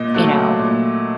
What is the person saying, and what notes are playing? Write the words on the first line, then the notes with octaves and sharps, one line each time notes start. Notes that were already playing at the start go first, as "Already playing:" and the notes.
you know,
Already playing: A#2 D#5
F#3 A3
A#2